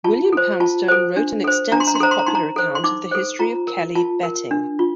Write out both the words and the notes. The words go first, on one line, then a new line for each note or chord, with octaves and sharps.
William Poundstone wrote an extensive popular account of the history of Kelly betting.
F4 A5
A4 C5
F4 A5
A4 C5
D4
A4 C5
D4 A#5
C6
A#5
C6
A4 C5 A#5
C6
A#5
D#4 C6
A#5
A4 C5
C6
D#4 D6
A4 C5
F4 A#5
A#4
F4 A5
A#4
D4
F4